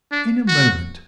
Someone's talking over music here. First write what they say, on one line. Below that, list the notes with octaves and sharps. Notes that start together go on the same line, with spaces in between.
"In a moment."
D4
F#4